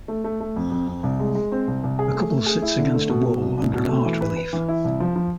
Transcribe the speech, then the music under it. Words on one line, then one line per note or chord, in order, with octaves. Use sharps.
A couple sits against a wall, under an art relief.
A3
A3
A3
F2
F2
F2
C2
G#3
G#3
C4
C2
C2
G#4
A3
A3
G#4
E4
D3
A3
B2
B2
C2
C2
B2
A3
E3
B4
B4
E3
E4
C2
F3
F3